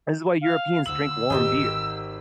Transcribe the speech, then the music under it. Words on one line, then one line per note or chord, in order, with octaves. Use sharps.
this is why Europeans drink warm beer
F5
D2 E6 F#7
G#1 D#4 G4 A#4 D#6